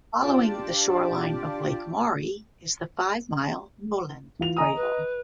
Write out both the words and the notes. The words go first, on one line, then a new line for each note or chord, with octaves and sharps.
Following the shoreline of Lake Maury is the five-mile Noland Trail.
D4 F4 G4 D5 A5 D6
E3 F4 F7
D#5 G#5 A#5 D#6
B4